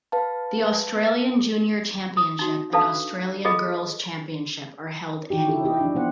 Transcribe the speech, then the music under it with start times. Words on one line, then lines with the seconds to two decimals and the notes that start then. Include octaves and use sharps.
The Australian Junior Championship and Australian Girls Championship are held annually.
0.12 B4 F5 A5
2.17 D#6
2.39 D#4 F#4
2.73 D4 A4 B4 F5 A5
3.45 F4 G#4 A4 B4 D#5
5.30 E3 D#4 F#4 G4
5.48 D#4 E4 G4 A4
5.65 E4 G4 D#5
5.81 F3 D4
5.95 B2 B3 F4 C5 F#5